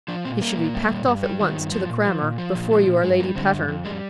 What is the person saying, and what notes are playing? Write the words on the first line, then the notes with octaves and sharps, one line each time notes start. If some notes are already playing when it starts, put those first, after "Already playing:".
He should be packed off at once to the crammer, before you are Lady Patterne.
F3 D4
A#2 C4
G3 A#3
A#2
G3
A#2
G2
G3
D#3
G2
F3
A#2
F3
A#2
F3
A#2
F3
A#2
G2 G#3
G3 A#3
D3 C4
G2
F2
G3 G#3